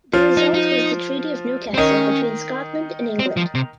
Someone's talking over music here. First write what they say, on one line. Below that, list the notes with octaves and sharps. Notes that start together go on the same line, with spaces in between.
The result was the Treaty of Newcastle between Scotland and England.
F3 F4
D#4
D#4
C4
D#3 C#4 D#4
C4
F3
C3